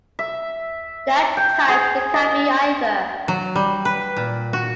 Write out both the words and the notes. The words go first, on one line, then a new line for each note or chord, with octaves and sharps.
There are types that can be either.
E5
G5
G#4
D#5
F#3
G3
B4
A#2
F#4